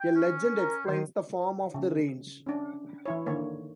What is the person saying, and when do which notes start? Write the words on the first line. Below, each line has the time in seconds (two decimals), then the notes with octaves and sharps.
A legend explains the form of the range.
0.01 G5
0.15 C#4
0.56 A#4
0.86 D#3 C5
1.74 C#3
2.46 C#4 D4
3.06 E3 E4 C#5
3.26 D3 D#3 A#3 C#5